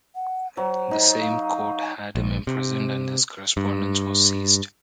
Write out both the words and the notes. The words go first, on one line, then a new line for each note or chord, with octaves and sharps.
The same court had him imprisoned and his correspondence was seized.
F#5
F#3 C5
D#4
F5
A#1
C3
G2